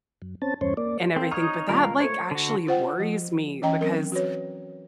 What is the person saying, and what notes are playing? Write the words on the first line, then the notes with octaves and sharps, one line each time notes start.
and everything, but that, like, actually worries me, because
F#2
C4 C#4 A5
E2 G2 C#4 C5 C#5
A#3 D5
C4 A4 F5
D#4 C#5 C#6 D#6 F6
A#2 D#3 G3 A#4 F5
C#2
A3 C5 C#5
D3 F#4
F4 C5 F#5 G5
F3
E3 C#4 D#5 G5 A#5
F#3 C4 A#4
F#4 B4 C#5